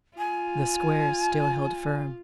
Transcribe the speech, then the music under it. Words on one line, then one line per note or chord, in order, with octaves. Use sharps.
The squares still held firm.
F4 G#5